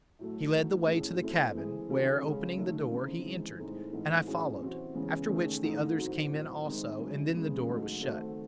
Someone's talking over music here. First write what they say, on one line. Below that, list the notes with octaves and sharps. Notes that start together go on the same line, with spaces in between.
He led the way to the cabin, where, opening the door, he entered, and I followed, after which the others came in also and then the door was shut.
A2 F#3 A3
E3 A3 D#4 F#4
A2 E3 A3 C#4 G#4
F#3 A3 C4 E4 A4
E3 G#3 C4 E4 G#4
D#3 F#3 C#4 F#4 A4
C#3 G#3 C#4
F#2 D#3 A3 D#4
C#3 E3 C4 D#4
E3 G#3 C4
A2 G#3 C4 D#4 A4
G#2 E3 A3 C4
A2 F#3 C#4 G#4
C3 E3 C4 F#4
E2 C#3 G#3 C#4
D#3 A3 C#4 G#4
G#2 E3 A3 D#4 A4
A2 F#3 C4 D#4 F#4
A2 F#3 C4
C3 D#3 G#3 C4 D#4
F#2 C#3 G#3
E2 C#3 G#3
G#2 F#3 A3
D#3 A3 C4 F#4 A4